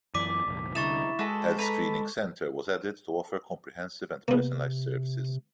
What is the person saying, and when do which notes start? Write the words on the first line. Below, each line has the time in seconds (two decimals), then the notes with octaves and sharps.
Health screening centre was added to offer comprehensive and personalized services.
0.14 F#2 E3 D5 D6 B6 D#7
0.46 F1 A#1
0.75 C2 D3 D#4 E4 C#6 A6 E7
1.19 G#3 F#4 A4 B4
1.58 A4 B4 A#5 B5
4.28 C3 A#3 B3